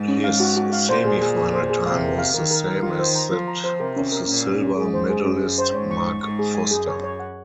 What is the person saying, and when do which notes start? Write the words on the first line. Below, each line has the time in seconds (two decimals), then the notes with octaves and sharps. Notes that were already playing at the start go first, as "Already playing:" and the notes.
His semifinal time was the same as that of the silver medalist Mark Foster.
Already playing: G#2
0.08 C#4
0.24 F5
0.40 F#4
0.57 F#4
0.73 F5
0.89 A#2 C5
1.05 G#4
1.21 G#4
1.37 G#4
1.53 C5
1.70 G#4
1.86 C3 F5
2.02 A#4
2.18 F5
2.34 D#3 A#4
2.51 A#4
2.67 A#4
2.83 D#3 F4
2.99 C5
3.15 A#5
3.32 F3 F4
3.48 A#5
3.64 C5
3.80 C3 A#4
3.96 C#4
4.12 A#4
4.28 A#2 C#4
4.45 C#4
4.61 C#4
4.77 G#2 G#4
4.93 C5
5.10 G#4
5.25 F#2 C#4
5.42 G#4
5.58 C5
5.74 G#2 C#5
5.91 C#6
6.07 C#6
6.23 G#2 C#6
6.39 G#4
6.55 G#5
6.71 F#2 G#4
6.87 C#5
7.04 C#5
7.20 F#5